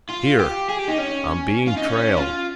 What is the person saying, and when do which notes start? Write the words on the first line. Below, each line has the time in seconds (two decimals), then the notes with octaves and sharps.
"Here, I'm being trailed."
0.10 F4
0.40 G4
0.69 G#4
0.79 G4
0.89 D#4
0.99 C#4
1.67 F4
1.77 D#4
1.87 C#4
2.17 F4